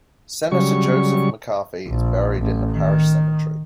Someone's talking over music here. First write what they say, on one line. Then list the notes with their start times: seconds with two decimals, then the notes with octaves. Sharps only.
Senator Joseph McCarthy is buried in the parish cemetery.
0.52 C#3 F#3 G3 C#6
1.88 A#1
2.41 A1
2.72 D#3